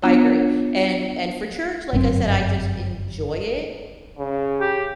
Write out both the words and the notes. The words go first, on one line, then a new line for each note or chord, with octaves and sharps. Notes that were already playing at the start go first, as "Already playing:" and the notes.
I agree. And and for church, like I said, I just enjoy it
B3 D4 F4 C#5
G1 F#2 C4
C#3
G4